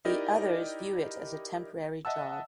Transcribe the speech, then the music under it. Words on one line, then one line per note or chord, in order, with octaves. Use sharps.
The others view it as a temporary job.
D#4 E4 G4 A#4 D5 D#5
D#5 E5 F#5 A5 E6